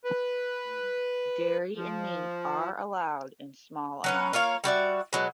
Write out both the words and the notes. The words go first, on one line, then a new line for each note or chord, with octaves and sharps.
Dairy and meat are allowed in small amounts.
B4
F3
F#3 C#4 B4
A#3 F4 C#5 F5
G3 F#4 D5 E5
B2 F#3 G#3